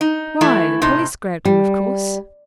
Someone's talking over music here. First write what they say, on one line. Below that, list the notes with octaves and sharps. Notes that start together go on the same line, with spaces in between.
'Why, the p'leece grabbed him, of course.
D#4
E3 A3 E4
A2 C3 D#4
G3